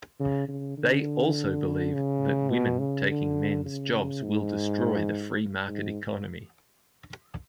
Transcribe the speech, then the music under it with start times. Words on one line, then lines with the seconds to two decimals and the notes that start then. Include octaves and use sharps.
They also believe that women taking men's jobs will destroy the free market economy.
0.20 C#3
0.48 C#3
0.77 D3
1.93 C#3
2.50 B2
2.79 C#3
3.09 D3
3.65 C#3
4.23 G#2
5.68 G#2